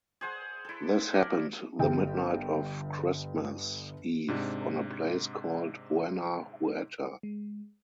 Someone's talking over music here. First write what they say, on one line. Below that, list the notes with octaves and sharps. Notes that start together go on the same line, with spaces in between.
This happened the midnight of Christmas Eve on a place called Buena Huerta.
G#4 C5 F#5
E4 A4
A4 A#4 D5
G1 G4 G5
G#2 C3 D4
G#3